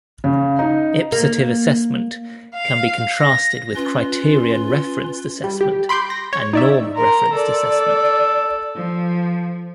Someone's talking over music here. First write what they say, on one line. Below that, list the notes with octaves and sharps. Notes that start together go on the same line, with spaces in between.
Ipsative assessment can be contrasted with criterion-referenced assessment and norm-referenced assessment.
C#3
D#4
A#3
F5
A#6
C#4 F4 B4 C6
G3
G4
B5 C6 D6 G6
A#6
C#5
D#4 D5 E5
A#4 A#5 C6
A4 D5
F3